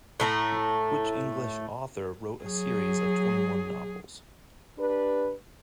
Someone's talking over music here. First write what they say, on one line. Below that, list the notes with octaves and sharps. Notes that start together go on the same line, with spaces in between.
Which English author wrote a series of twenty-one novels?
A2 A3 A#5
F#3 G#4
D4 G4 B4